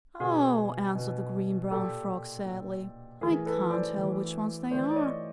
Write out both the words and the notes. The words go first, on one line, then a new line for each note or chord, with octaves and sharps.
"Oh," answered the Green Brown Frog sadly, "I can't tell which ones they are."
B2 F#4 G#4
B2
A#2 G4 A4
A#2
A2 E3 G#4 A#4
A4 B4
C5 D5
A2 E3
A2 E3 C5 D5
D5
C#5 D#5